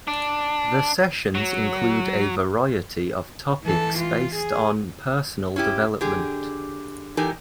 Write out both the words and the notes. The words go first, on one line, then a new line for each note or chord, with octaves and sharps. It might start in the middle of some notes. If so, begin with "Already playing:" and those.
The sessions include a variety of topics based on personal development.
D4
F#3
E3 A4
F4
G#4
C#4 E4 G4
D3 G4 G#4
E3 D#4 G4 A4 A#4 G#5